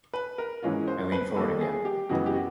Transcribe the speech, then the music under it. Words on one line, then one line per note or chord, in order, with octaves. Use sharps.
I leaned forward again.
B4
A#4
G#2 E3 G#3 C#4 F4
C5
B4
D#3 G3 A#3 A4
G#4
G4
F#2 C#3 E3 G#3 B3 F#4
G4
F#4